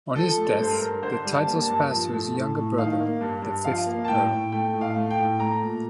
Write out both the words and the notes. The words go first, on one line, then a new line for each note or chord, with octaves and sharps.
On his death the titles passed to his younger brother, the fifth Earl.
F3 A4
A3
A4
G2 C5
A#4
G2
D3 C5
G3
A5
A#3
A5
G2
F3
A3
A2
A2
D#3 F5
A#3
G2
G2
F3 F5
A#3
A5
A2 G5
A2
A3 G5
A2
F5
A3
G5
A2
A3 A#5
A#2